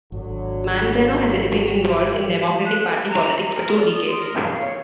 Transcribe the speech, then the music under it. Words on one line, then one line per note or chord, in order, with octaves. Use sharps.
Manzano has been involved in Democratic Party politics for two decades.
G#1 D3 F#3
F#6
A#4
A#5
A#5
A#4
D5
D#6
C6
A#4
F5
C#5